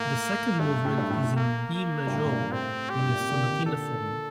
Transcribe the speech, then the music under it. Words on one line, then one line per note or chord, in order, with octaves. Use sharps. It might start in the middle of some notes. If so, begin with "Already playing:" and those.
The second movement is in B major in a sonatina form.
Already playing: A2 A#3
G2 A3
A2
G2
A2
A2
A#3
A#3
G2
A2
A2
G2 A#2
A2 C3 C4
G4
G2
A2
A#2
C3
A#2 D3
C3 D#3
C3
A#2 D3 A4